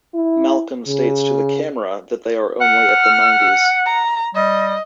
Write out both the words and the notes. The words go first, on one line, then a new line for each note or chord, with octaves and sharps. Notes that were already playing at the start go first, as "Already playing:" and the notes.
Malcolm states to the camera that they are only at the nineties.
E4
C#3
F#5 F6
A#5
G3 D#5